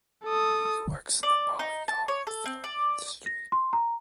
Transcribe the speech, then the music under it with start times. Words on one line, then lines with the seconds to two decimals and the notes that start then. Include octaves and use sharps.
He works in the Malayalam film industry.
0.24 A4 D#6
1.23 D5
1.59 D#4
1.88 A5
2.08 C#5
2.27 A4
2.46 C4
2.64 D5
3.26 A#6
3.52 C6
3.73 A#5